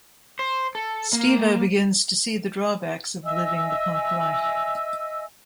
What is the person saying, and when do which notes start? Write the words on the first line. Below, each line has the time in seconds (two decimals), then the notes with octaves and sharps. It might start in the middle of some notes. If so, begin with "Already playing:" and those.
Stevo begins to see the drawbacks of living the punk life.
0.39 C5
0.75 A4
1.13 A#3
3.24 D#5 E5 G#5 E6